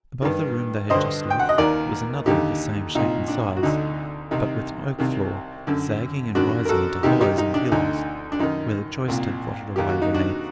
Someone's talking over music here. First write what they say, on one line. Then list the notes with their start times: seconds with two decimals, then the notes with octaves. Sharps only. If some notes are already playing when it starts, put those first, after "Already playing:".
Above the room they had just left was another of the same shape and size, but with an oak floor, sagging and rising into hollows and hills, where the joist had rotted away beneath.
0.22 G2 D#3
0.90 G2 D3 C5 D#5
1.30 G5
1.39 F#5
1.49 D#5
1.58 D#2 D#3 A#4 D5
2.26 D#2 D3 D#4 G4
2.95 C2 A#2 D#4
3.28 D4
3.56 F#4
3.63 D2 D3 D#4
4.31 C2 C3 D#3 D#4
4.99 C2 C3 D#3
5.67 F#2 D3
6.35 F#2 D#3 D4 F#4
6.65 A#4
6.69 F#4 A4
7.03 C2 C3 D#3 D#4 G4
7.21 D#4 G4
7.38 D#4
7.54 D4
7.72 D2 D3 D#4
8.32 D4
8.39 F#2 D#3 D#4
9.08 C2 A#2
9.76 D#2 D#3 G4
9.89 F#4
10.02 D#4
10.14 D4 F#4